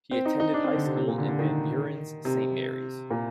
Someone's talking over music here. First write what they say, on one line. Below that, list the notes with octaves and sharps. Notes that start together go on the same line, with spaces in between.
He attended High School in Van Buren's Saint Mary's.
C4
D#4
D#4
D4
C4
D3
C3
C3
A#2
D3
D3
D#3
C3
A#2